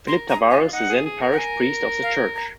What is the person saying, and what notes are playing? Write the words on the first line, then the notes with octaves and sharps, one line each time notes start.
Philip Tavares the then parish priest of the Church.
A#4 C6
G#4 A#5
F4 G#5
D#4 F#5
G#4
G#4
A#4
F#5
G#5
F5
A#5